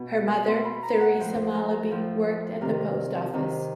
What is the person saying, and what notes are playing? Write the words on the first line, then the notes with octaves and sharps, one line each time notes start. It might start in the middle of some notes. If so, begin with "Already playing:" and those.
Her mother, Theresa Malaby, worked at the post office.
Already playing: B2
B2 C6
B5
A#5
F#5
A2 F3 C5
A#4
A2 F3
C3 D#3 A#4
C3 D#3